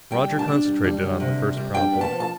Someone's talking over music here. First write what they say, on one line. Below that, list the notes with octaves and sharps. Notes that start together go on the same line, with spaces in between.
Roger concentrated on the first problem.
G3 G5
D4
A5
D4
G3
G3
D3
C3
G3
G3
D4 G5
B3
A5
F3
A5